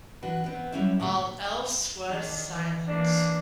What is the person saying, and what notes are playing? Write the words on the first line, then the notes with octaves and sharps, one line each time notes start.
All else was silence.
E3 D4 F#4 B4
B3 C4
F#3 G3 C#4 E4 E5
A#2 D3 G3 A3
D#3 D4
E3
E3 A#3 D4